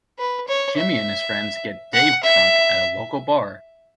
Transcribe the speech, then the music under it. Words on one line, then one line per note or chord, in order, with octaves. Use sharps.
Jimmy and his friends get Dave drunk at a local bar.
B4
C#5
E5
F#5
E5